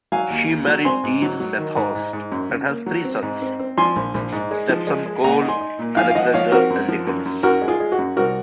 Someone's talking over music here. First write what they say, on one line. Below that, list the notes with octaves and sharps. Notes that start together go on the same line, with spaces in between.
She married Dean Methorst and has three sons: step-son Cole, Alexander, and Nicholas.
F#3 F5 G#5
D#2
D#2
F#3
C4 G#5 C6
G#2
F#3
F#3
D#3
G#2
G#2
G#2
F#2
C#3
A#3
F#3
C4
G#2
C4
C4
F3 G#5 C6
A#1
A#1
G#2
G#3
F3
G#3
G#3
A#2 F#5 A#5
D#4
G#5 C6
D#4
A#2
F3 F5 G#5
F5
F3 D#5 F#5
F3 C#5 F5
C4 F#4 A#4
F#2
F3
F#2
F#2
F#2 F#4 A#4
G#3
F4 G#4
G#3
F#4
F#2
C2 F#4 A#4